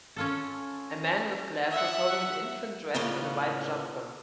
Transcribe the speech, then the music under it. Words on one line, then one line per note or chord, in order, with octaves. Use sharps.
A man with glasses holding an infant dressed in a white jumper.
C#4 F4 A4
E5 F#5
A2 C#3 A#3 B3 C#4 F4